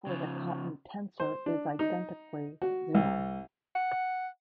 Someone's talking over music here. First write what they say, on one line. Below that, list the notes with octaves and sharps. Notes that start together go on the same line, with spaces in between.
For the Cotton tensor is identically zero.
C#3 F3
C5
D4
D#4
F#4
C2
F#5